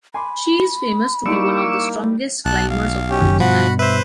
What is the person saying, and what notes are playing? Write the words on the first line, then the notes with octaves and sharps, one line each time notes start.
She is famous to be one of the strongest climbers of all time.
G#5 B5 C6 D6
G3 A#3 D#4 E4 C#6 D6 E6
B1 A5 F#6
F5
C#4 G4
F#1 F#2 D#3
G2 B2 F3 F#4 F#5 B5
B4 C5 E5